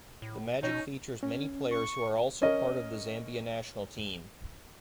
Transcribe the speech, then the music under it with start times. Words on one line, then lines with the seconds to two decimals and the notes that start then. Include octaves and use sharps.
The Magic features many players who are also part of the Zambia national team.
0.22 A2
0.63 B2 C#4 D#4
1.23 C#4
1.71 C#6
2.42 C#4 A#4 D#5